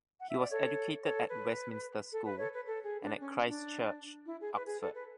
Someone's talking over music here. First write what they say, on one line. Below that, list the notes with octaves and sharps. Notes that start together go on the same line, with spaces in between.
He was educated at Westminster School and at Christ Church, Oxford.
F#5
E5
D5
A4 C#5
A4 C#5
B4
A4
B4
A4 C#5
B4
A4
G#4
D4
C#4
D4
E4
G#4
B4
G#4
A4
B4